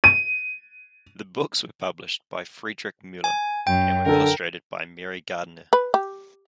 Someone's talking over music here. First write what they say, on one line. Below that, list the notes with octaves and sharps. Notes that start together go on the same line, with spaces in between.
The books were published by Frederick Muller and were illustrated by Mary Gardiner.
D#7
G#5
F#2 G5
D3 A4 A#4
B4
G4